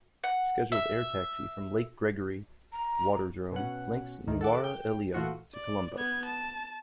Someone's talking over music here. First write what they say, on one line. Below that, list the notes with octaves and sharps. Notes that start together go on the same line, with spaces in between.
Scheduled air taxi from Lake Gregory Waterdrome links Nuwara Eliya to Colombo.
F#5
E5
A#5
B2 C#4 F#5
D2 D#3
A4 F#5 D6
G5
A#2 E3 A3 F4 F#4
D5
B3 G#6
A5